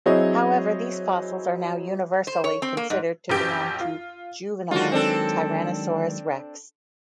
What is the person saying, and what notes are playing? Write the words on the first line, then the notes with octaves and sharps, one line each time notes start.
However, these fossils are now universally considered to belong to juvenile "Tyrannosaurus rex".
F#3 C4 E4 G#4 C#5 D#5
C5
C#5
C4
A#3
G#2
A#1 F#2 G4 D7
F4
D#3 F#3 G#3 F4 F#4
C4 D4 A4